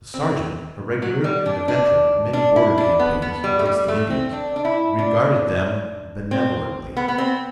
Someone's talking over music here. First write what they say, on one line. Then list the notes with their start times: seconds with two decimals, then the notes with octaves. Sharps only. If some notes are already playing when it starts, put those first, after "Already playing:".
The sergeant, a regular and a veteran of many border campaigns against the Indians, regarded them benevolently.
0.14 C4
1.02 F#3
1.24 G3
1.46 D4
1.68 D4
2.33 D4
2.56 E4
2.78 D4
2.99 B3
3.22 B3
3.44 G3
3.59 A3
3.66 G3
3.88 A3
4.10 C4
4.32 D4
4.56 D4
4.65 E4
4.99 D4
6.31 C4
6.97 B3
7.08 B3
7.18 C4